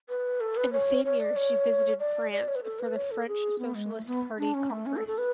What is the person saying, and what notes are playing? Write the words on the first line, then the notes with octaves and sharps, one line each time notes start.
In the same year, she visited France for the French Socialist Party Congress.
B4
A4
B4
C#5
C#5
D5
C#5
D5
D5
C#5
B4
A4
B4
C#5
A4
G#4
B3
G#3
A3
B3
D4
C#4
A3
C#4
A4
A4
B4